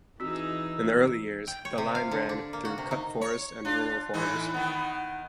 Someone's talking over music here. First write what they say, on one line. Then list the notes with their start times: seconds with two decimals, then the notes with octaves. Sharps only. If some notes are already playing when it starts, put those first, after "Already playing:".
In the early years, the line ran through cut forest and rural farms.
0.20 E3 C4 D#4 F#4 G#4 E6
1.47 G5
1.65 C#5
1.78 C3
1.95 F5
2.11 D3
2.29 D4
2.53 A#3
2.65 F#4
2.78 C3
2.91 D#4
3.21 C#5
3.65 D4 F4
4.14 A2 E3 D#4
4.54 D#3 B3